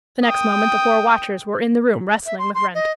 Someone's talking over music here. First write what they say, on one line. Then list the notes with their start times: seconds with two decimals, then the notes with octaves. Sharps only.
The next moment the four watchers were in the room wrestling with Wrent.
0.24 G5 D#6
2.26 E5
2.39 C6
2.55 C6
2.75 D#5